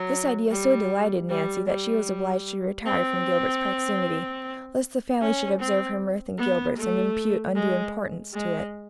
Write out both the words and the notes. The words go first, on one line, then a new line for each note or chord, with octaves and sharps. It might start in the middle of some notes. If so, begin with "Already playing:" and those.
This idea so delighted Nancy that she was obliged to retire from Gilbert's proximity, lest the family should observe her mirth and Gilbert's and impute undue importance to it.
Already playing: F#3
G3
G3
G3
C4
C#4
C4
B3
A3
G#3
G#3